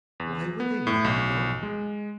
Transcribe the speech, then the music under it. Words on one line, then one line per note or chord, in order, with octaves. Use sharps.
Why would they not be gone?
E2
B3
A2
B1
G#3